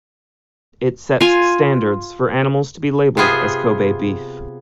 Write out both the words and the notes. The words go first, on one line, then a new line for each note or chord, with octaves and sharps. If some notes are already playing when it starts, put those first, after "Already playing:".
It sets standards for animals to be labeled as Kobe beef.
F4 G#5
C3 B3 F4 G#4